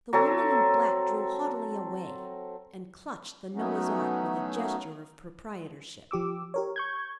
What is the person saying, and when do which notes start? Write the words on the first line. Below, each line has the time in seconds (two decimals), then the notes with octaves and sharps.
The woman in black drew haughtily away and clutched the Noah's ark with a gesture of proprietorship.
0.13 F#3 C4 A4
3.55 F#3 A3 B3 C#4 D#4
6.11 F3 G4 D6 E6
6.54 G4 A#4 C#5
6.76 C#6 G6 G#6